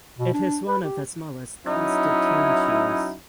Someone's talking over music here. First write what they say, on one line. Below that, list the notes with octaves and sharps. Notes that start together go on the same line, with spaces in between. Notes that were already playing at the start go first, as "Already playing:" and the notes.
It is one of the smallest constituencies.
B2
D4
B4
G4
F#3 C#4 D#4 E4